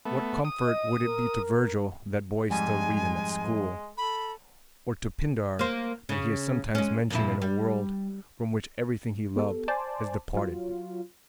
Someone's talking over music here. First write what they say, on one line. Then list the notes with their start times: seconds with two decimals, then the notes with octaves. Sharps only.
What comfort would it be to Virgil that boys still read him at school, or to Pindar that he is sometimes mentioned in a world from which everything he loved has departed?
0.05 A3 B3
0.45 D#6
0.64 D#5
1.04 A#4
2.50 F2 G#2 G3 G#3 G#5
3.98 A4 B5
5.59 A#3 C5
6.09 C#3
6.75 G#3 C#4
7.10 F2 A#2 E4
7.42 G3
9.36 B3 G4 A4
9.68 C5 D5 G#5 A5
10.34 F#3 F4